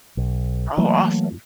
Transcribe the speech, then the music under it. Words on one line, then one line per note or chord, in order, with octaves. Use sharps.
Oh, awesome.
B1
E3 F#3 A3 A#3